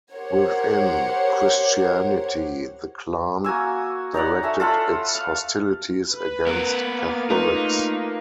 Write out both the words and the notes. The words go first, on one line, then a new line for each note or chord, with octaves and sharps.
Within Christianity the Klan directed its hostilities against Catholics.
G4 A#4 C5 C#5 F#5
A#3 F#4 G#5 E6
D#4 C#5 D5 F#5
A4 E5 G#5
F4 A4 F#5 B5
F5
B4
B3 A#4
A#3
A3 D#4 F4 B4